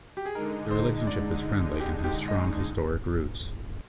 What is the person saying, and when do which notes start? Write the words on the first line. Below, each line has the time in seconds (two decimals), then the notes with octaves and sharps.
The relationship is friendly and has strong historic roots.
0.17 G4
0.26 G#4
0.34 D3 G#3 D#4 A#4
0.71 C5
1.07 D5
1.80 G4
2.04 G4
2.28 D#5